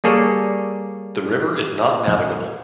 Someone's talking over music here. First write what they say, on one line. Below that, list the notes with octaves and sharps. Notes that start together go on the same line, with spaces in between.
The river is not navigable.
G3 A#3 G#4 A4 C#5 D5